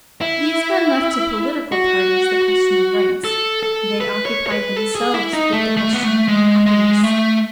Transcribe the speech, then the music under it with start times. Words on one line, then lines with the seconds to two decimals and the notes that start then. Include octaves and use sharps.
These men left to political parties the question of rights, they occupied themselves with the question of happiness.
0.21 E4
1.72 F#4
3.24 A4
3.63 A4
4.01 B4
4.26 C#5
4.47 C#5
4.52 B4
4.76 A4
4.95 G#4
5.14 E4
5.33 D#4
5.52 A3
5.77 A3
5.93 B3
6.03 A3
6.28 G#3
6.66 G#3
7.04 A3